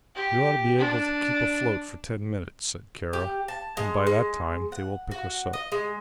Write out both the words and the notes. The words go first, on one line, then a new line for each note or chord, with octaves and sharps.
"We ought to be able to keep afloat for ten minutes," said Kara, "and by that time they will pick us up."
G4
D4
G4
A5
G#3
G#3
F#5
F#4
D#5
G#3